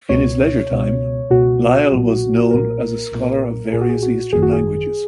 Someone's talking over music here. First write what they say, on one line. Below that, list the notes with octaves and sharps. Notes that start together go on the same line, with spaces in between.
In his leisure time Lyall was known as a scholar of various Eastern languages.
C#2 B2 C#5
C#2 B2
C#2 B2 F#4
B1 A#2
B1 A#2 A#4
B1 A#2
B1 A#2 G#4
F#4
G#4
F#4
G#1 F#2 D#3 G#4
F#4
G#4